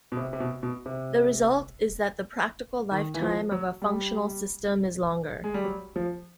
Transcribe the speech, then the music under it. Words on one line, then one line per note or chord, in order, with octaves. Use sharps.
The result is that the practical lifetime of a functional system is longer.
B2
C3
C3
B2
B2
C3
D#3
E3
F3
F#3
G3
G#3
G3
F#3
F3